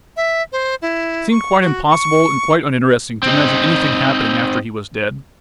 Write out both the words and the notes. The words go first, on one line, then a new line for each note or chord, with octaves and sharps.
It seemed quite impossible and quite uninteresting to imagine anything happening after he was dead.
E5
C5
E4
C#6
F#4
C#6
C4 D#4